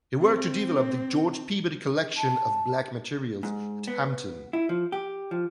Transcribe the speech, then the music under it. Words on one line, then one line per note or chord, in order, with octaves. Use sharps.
He worked to develop the George Peabody Collection of Black materials at Hampton.
C4
A5
G#2
B3
E4
F3
G4
F3